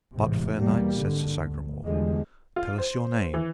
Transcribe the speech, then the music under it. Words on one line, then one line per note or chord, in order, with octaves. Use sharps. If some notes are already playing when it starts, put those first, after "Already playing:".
But, fair knight, said Sir Sagramore, tell us your name.
A1 E2 G#2 C3
E2 B2 G3 A#3
G#1 D3
D2
E2 D3 F3 G3 G#3
F4
C5
E3